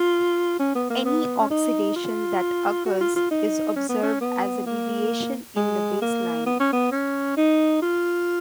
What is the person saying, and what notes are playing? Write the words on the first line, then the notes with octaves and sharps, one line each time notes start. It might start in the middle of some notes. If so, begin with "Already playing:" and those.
Any oxidation that occurs is observed as a deviation in the baseline.
Already playing: F4
C#4
B3
A#3
B3
C#4
D#4
F4
F#4
F4
F4
D#4
C#4
B3
C#4
B3
A#3
G#3
A#3
B3
C#4
B3
C#4
D#4
F4